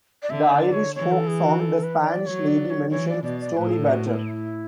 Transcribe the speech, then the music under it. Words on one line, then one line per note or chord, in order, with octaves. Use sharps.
The Irish folk song "The Spanish Lady" mentions Stoneybatter.
D5
D3 E5
D5
C#5
E3 C#5
A4
G#4
F#4
A4
B4
D5
F#3 C#5
D5
C#5
E3 C#5
D5
B2 D5
D5
A2 B4
G#4
A4
F#4
E4